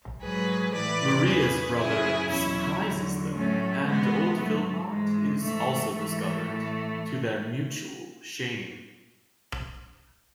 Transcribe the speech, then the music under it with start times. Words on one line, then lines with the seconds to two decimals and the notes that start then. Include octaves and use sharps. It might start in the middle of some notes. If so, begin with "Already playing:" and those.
Maria's brother surprises them, and old Philpot is also discovered, to their mutual shame.
0.21 G#2 F#3 G#4 B4
0.73 A2 E3 B4 D5
1.25 E2 C#3 E3 G#4 B4
1.77 F#2 C#3 F#3 E4 G#4
2.29 E2 B2 F#3 C#4 E4
2.82 E2 D3 F#3
3.34 A2 F#3 A3 C#4
3.86 G#2 E3 G#3 B3
4.38 G#2 F#3 A3
4.90 G#2 E3 G#3
5.42 G#2 E3 A3
5.94 G#2 E3 A3
6.47 A2 E3